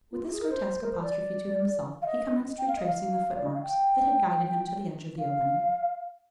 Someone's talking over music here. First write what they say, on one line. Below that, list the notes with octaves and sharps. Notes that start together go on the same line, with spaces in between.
With this grotesque apostrophe to himself, he commenced retracing the footmarks that had guided him to the edge of the opening.
F4
G4
G#4
A#4
C5
A#4
C5
D5
F5
D#5
G5
F5
D#5
F5
D5
D#5
F5
G5
F5